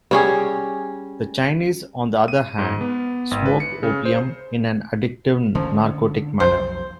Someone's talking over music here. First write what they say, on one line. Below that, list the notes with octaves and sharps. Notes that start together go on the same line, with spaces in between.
The Chinese, on the other hand, smoked opium in an addictive narcotic manner.
G3 C#4 G#4
D#7
G#2
B3
G#1
B4
C#7
C#3
C5
D3 F3 C#4
B1 F2 C5